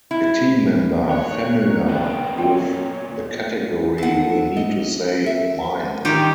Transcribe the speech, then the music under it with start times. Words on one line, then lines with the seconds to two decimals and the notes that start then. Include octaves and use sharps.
A team member familiar with the category will need to say Mine!
0.11 E4
1.11 C#5 F#6
1.67 A#4
1.88 A#2 A#3 B3 C#4 D4 G4 D5
2.04 G5
2.38 F4 C#5 G5 G#5
3.98 A4 F#5
4.57 D#5
5.26 E5
6.05 D#3 G3 C#4 F4 G4